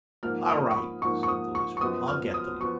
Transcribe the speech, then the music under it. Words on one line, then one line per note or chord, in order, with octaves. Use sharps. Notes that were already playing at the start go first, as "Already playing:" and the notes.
"All right," said the Lizard; "I'll get them."
G#2 F3 A#3 F6
D#6
C#6
B5
G#2 F3 A#3 C#6
C#6
D#6
C#6
C#6
F#2 F3 B3 D#6
F6
D#6
F3 B3 C#6